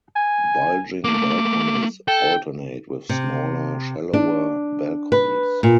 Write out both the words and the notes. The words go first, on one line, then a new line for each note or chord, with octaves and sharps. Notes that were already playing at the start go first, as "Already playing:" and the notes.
Bulging balconies alternate with smaller, shallower balconies.
G#5
A3 A#3 D6
A4 G5
C3
D4
B4
A#2